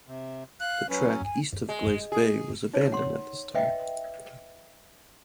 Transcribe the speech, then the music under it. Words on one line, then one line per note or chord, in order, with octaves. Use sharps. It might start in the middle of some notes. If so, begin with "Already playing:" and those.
The track east of Glace Bay was abandoned at this time.
C3
F5 F#6
F#3 C#4 B4
G#5
G#3
G#4
D#4 C#5
F#5 C6
B4 D#5 E5 F#5 G5